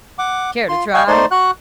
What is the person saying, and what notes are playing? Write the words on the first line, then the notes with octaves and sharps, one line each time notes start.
"Care to try?"
F#5 D6
F4 C6
D#5 F5 G5 G#5 C#6
A3 D#4 C5 D5 C6
F#4 F#5 F#6